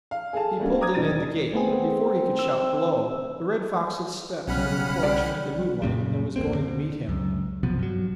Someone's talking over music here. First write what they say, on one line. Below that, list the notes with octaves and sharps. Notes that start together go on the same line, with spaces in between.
He pulled in at the gate, but before he could shout "Hello" the Red Fox had stepped from the porch into the moonlight and was going to meet him.
F5
G#4 A4 F5 A5
G3 A3 A#3 C#4 D4 F#4
A#5 D6 D#6 G#6
E1 D#3 D4 A6 D#7
A3 B3 C4 G#4
E6
B1 C#3 G3 C#4 F#5 B5 F6
G3 D5
F#2 A#2 C#3 G3
A1 D#2 A#3 C4
D3
C#2 F#2
B1 C3 F3 B3
G2 F#3